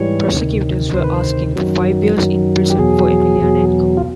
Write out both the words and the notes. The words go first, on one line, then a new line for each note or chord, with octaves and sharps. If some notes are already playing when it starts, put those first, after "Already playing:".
Prosecutors were asking for five years in prison for Emelianenko.
Already playing: G#2 E3 G3 C#5
D2 C3 D#3
D2 C3 D#3 C5
B4
C5
F#2 D#3 F#3
F#2 D#3 F#3
G4
E2 B2 F#3 G#4
E2 B2 F#3
F4